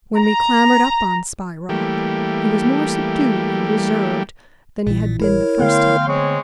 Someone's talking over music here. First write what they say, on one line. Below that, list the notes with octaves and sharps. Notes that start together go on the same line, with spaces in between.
When we clambered up on Spy Rock, he was more subdued and reserved than he had been the first time.
A#5
E3 G3 A3 A#3 G4
A#1 A#2 E3
E4 A#4 C#5
D3 A3 B3 F5 G5 C6
G#3 C4 C#5